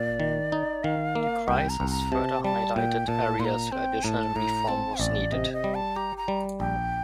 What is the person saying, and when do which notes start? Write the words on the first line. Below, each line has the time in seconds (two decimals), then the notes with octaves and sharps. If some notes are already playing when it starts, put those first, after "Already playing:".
The crisis further highlighted areas where additional reform was needed.
Already playing: A#2 D5
0.20 D#3
0.52 D#4
0.84 D#3 F5
1.15 A#3
1.48 C2 G5
1.69 A#5
1.80 C2
1.91 A#5
2.12 C3 A5
2.44 G3 A5
2.76 A#2 G5
3.08 A#2 A5
3.40 A#2 C6
3.45 A#5
3.72 C4 G5
4.04 A2 A5 A#5
4.36 A2 A#5
4.68 C4 A5
5.00 A1 D5
5.32 C3 D#5
5.53 D#5
5.64 G3
5.75 A5
5.96 G4 A#5
6.18 A#5
6.28 G3
6.60 A#1 G5